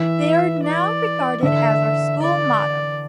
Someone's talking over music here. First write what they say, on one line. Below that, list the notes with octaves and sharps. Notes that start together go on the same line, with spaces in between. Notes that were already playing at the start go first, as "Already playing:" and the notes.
They are now regarded as our school motto.
Already playing: E3 E5
D5
D3 E5
D5